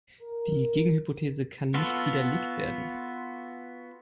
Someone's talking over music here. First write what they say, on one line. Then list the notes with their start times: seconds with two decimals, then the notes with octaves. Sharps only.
Die Gegenhypothese kann nicht widerlegt werden.
0.21 A#4
1.74 B3 F4 F#4 A4